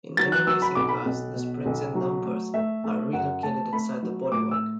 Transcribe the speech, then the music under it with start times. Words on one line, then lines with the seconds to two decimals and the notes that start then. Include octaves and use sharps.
In many racing cars, the springs and dampers are relocated inside the bodywork.
0.17 F#3 A6
0.32 F#6
0.47 F#3 E6
0.62 B5
0.75 B1 D6
0.89 B5
1.06 B1
1.36 B2
1.66 B1
1.95 F#3
2.24 A3
2.54 A3 E5
2.84 A3
3.13 F#2 F#5
3.43 A3 A5
3.72 A3 B5
4.03 F#3
4.32 A2 D6
4.51 E6